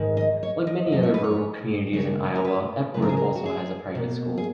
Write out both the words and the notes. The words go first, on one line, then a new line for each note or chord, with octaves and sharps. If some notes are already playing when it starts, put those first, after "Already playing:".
Like many other rural communities in Iowa, Epworth also has a private school.
Already playing: G#2 D#3 G#3
D#5
C#5
D#5
F#2 F3 G#3 D#5
C#5
B4
C#5
D#2 C#3 G#3 C#5
A#4
B4
F#2 C#3 G#3 B4
A#4
G#4
A#4
F#4
G#4
B2 A#3
G#4